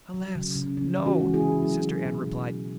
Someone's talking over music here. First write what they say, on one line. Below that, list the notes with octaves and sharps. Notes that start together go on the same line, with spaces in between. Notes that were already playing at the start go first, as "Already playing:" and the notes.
"Alas, No!" Sister Anne replied.
F#3
C#3
C#3
C#3 C#4
E3
C#4 F#4
G#3
E4 G#4
C#3
F#3
F#3
B2
B2
F#3